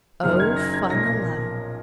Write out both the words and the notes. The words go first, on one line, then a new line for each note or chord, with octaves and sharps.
Oh, fun alive!
F#1 F#2 D#3 F#3 F6
G#6
A#6
G#6
B1 A#2 F3 A#6